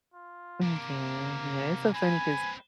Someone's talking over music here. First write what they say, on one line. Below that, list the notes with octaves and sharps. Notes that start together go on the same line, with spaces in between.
Mm, yeah, yeah, it's so funny 'cause
F4
C3 A#3 D4
C4 B4 G#5 B5